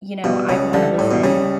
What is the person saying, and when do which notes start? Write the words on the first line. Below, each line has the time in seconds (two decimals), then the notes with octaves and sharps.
You know, I wanna listen,
0.24 B2 G3
0.49 C#2 C#3
0.73 D3 G3
0.98 A2 G3
1.11 B2
1.23 C#3 G3